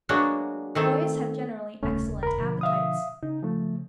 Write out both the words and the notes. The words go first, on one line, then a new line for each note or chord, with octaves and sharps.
Boys have generally excellent appetites.
F#3 G#3 A#3 B3 D4 F#4
D#3 A3 C4
D#1 C2 C#3 A3 C#4
A#4 B5
B2 D3 F3
E5 F5 D#6
C#3 D#4
F3 A3